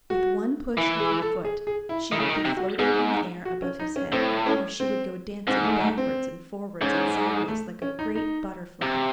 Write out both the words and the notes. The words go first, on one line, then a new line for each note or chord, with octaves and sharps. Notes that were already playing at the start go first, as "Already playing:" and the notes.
With one push of her foot, she would be floating in the air above his head; or she would go dancing backwards and forwards and sideways, like a great butterfly.
F#4
E3 E4
G#4
A4
G#4
G#4
E4
D#3 E4
C#3
D#3
D#4
C3
F#4
G#2 G#4
F#4
C#4
D#4
C#4
A2 C4
C#4
C4
G#2 C4
A3
A3
C4
G#2 C#4
A3
C#4
D#4
D#4
C3